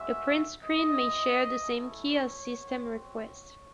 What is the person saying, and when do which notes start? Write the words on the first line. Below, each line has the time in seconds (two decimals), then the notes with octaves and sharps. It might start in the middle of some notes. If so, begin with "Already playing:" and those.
The print screen may share the same key as system request.
Already playing: G#3 C#4 F#4 E5
0.63 C4 E4 D#5
1.59 A3 C#4 E4
2.08 C#5
2.56 C4 F#4
3.04 C#5